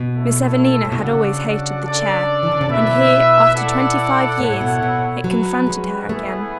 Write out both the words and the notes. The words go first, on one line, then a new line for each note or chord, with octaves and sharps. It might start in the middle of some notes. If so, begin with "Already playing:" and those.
Miss Evelina had always hated the chair, and here, after twenty-five years, it confronted her again.
Already playing: B2
A3 E4 A4 C#5
A2
B2
C#3 D4 F#4 A4 D5 F#5
D4 A4 D5
E3
D3
C#3
B2 E4 B4 E5
E4 A4 D5 F#5
A2 E4 A4 C#5 F#5
A2
B2
B2
F#3 C#4 F#4 B4
G#3
A3 B3 E4 G#4 B4